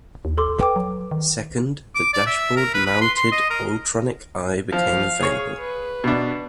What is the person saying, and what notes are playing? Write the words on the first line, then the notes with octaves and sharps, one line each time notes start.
Second, the dashboard-mounted "Autronic Eye" became available.
D#2
A4 C6 D6
B4 G5 D6
F#3
D#3
D6
D5
E5
A#4
B4
B4
C6
C6
D#5
A#4
F3 F5
G#4 C#5
B4
B2 D4